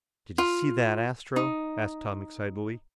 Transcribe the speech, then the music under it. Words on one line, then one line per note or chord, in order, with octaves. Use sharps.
"Did you see that, Astro?" asked Tom excitedly.
F4
D#4